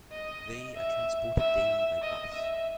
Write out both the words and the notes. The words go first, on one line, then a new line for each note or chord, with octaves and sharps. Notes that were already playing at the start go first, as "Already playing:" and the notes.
They are transported daily by bus.
D#5
E5
E5
D#5
E5